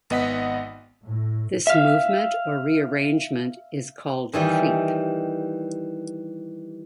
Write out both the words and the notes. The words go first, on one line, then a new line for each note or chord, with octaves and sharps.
This movement or rearrangement is called creep.
G#1 B3 D#5 F#5 B6
A2
E5 F5
D#3 E3 G3